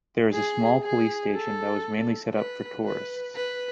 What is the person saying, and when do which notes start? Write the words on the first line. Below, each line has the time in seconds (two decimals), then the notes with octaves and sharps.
There is a small police station that was mainly set up for tourists.
0.32 G#4
0.83 G#4
1.34 A4
2.34 B4
2.85 B4
3.36 B4